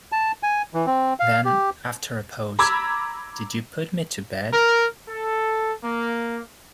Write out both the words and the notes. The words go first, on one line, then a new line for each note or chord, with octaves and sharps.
Then, after a pause: "Did you put me to bed?"
A5
G#5
E3
C4
F5
G4
A#5 B5 D6 E6 G#6
A#4
A4
A#3